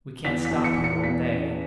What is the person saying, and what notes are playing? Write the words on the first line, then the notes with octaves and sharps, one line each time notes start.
We can't stop here all day.
E2 B6
B6
E2
C#7
E3
C#7
E2 B6
C#4